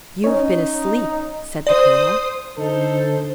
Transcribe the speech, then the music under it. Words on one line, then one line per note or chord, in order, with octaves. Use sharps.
"You've been asleep," said the colonel.
C#4 D#4 C#5
C5 D5 D#6
D3 D#4 A4 C5